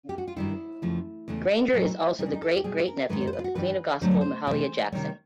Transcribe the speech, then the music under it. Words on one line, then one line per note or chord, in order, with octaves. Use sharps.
Granger is also the great-great-nephew of the "Queen of Gospel", Mahalia Jackson.
G4
F#4
F4
G2 D#3 G3 E4
F2 C#3 F3 A3
E2 C#3 E3 A3
A#2 F#3 A3 E4
D#4
E4
E2 C#3 E3 G3 D#4
D4
D#4
A4
G4
B2 G3 G#4
A#4
G#2 D#3 G#3 B4
C#5
C5
B4
F4
F#4
G2 E3 G3 B4
G2 D3 F#3 A3 C5
C#5
C5
C3 E3 A3 C5
C3 D#3 G3 C#5